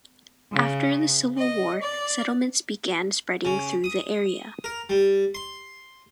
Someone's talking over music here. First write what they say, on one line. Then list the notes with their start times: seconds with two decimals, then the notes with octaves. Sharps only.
After the Civil War, settlements began spreading through the area.
0.51 C#3
1.37 D#5
1.82 D5
3.45 C#3
3.84 D#6
4.64 A#4
4.89 G3
5.35 C6